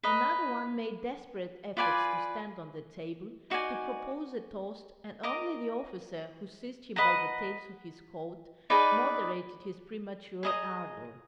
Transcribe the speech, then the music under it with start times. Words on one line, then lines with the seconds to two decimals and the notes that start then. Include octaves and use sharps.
Another one made desperate efforts to stand on the table, to propose a toast, and only the officer, who seized him by the tails of his coat, moderated his premature ardour.
0.03 B4 D#5 A#5
1.77 F4 B4 D5 G#5
3.50 D#4 F#4 D5 G#5
5.23 A#4 D#5 A#5 D6
6.96 B4 D#5 F#5 A#5
8.70 D#4 G#4 B4 D5
10.43 G#4 D#5 A#5 D#6